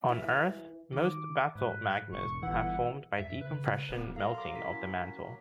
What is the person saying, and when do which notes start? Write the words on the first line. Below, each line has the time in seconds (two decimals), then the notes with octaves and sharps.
On Earth, most basalt magmas have formed by decompression melting of the mantle.
0.09 E3
0.93 D#3 D6
1.56 G#2 B4
2.12 E1 C#6
2.42 G1 E3 E4 F#5
3.18 F#2 E5
3.41 C#3 B4
3.89 D#1 B3 A#4 B4
4.16 F#3 A#3 A4 F5 A#5
4.34 C6 D6
4.55 C#4 E4 B6